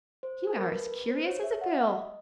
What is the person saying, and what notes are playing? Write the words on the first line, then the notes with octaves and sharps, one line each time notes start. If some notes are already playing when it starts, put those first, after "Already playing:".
'You are as curious as a girl.
C5
A4
A#4
B4
B4
B4
C5
C#5
E5
F#5
E5
D#5